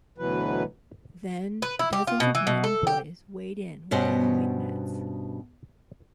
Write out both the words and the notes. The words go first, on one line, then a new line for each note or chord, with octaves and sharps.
Then dozens of men and boys wade in with their homemade nets.
D2 B2 E3 F#3 B4
B4
E4
G4
F4
B2
E3
B2
A4
G4
G2 B2 B3 C#4 C5